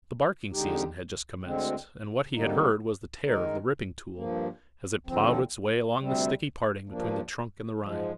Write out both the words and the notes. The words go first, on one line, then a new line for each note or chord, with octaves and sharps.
The barking season had just commenced, and what he had heard was the tear of the ripping tool as it ploughed its way along the sticky parting between the trunk and the rind.
F2 D3 G#3 D#4 G4
D2 D3 G#3 C4
F2 D3 G3 A#3 D#4
D#3 G#3 D#4 A#4
G2 F3 A#3
D#2 D3 F3 C4
D2 C3 G3 C4
G2 F3 A#3 D4
G#2 F3 G#3